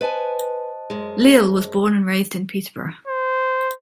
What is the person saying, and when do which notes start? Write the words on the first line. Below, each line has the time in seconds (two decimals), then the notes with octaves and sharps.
Leal was born and raised in Peterborough.
0.01 B4 C5 D#5 G#5 A5
0.90 F#2 G#3
3.08 C5